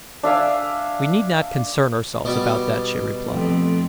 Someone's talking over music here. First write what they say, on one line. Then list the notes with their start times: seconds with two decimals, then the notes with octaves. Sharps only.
"We need not concern ourselves about that," she replied.
0.23 D4 E5 F5 G#5
2.25 B2 G3
3.31 F2 A3 C4